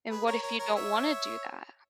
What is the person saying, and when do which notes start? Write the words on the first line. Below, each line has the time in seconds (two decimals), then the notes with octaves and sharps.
and what if you don't wanna do that?
0.09 G#4 B4
0.26 A#4 C#5
0.42 A#4 C#5
0.59 A#4 C#5
0.75 C#5 E5